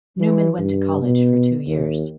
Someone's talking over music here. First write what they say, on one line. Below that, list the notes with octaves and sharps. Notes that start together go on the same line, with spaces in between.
Newman went to college for two years.
E3
G2
B2
D#2